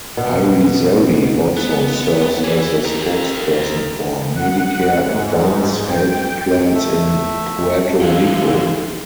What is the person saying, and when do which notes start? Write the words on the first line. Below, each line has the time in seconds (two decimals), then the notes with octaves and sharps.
Irizarry also serves as spokesperson for Medicare advanced health plans in Puerto Rico.
0.17 B2
1.57 B3
2.44 E3
2.85 G4 A#4
4.35 F#5
5.05 G#2
5.89 G5
6.74 A3 E5
8.02 E3 F3 F5 G5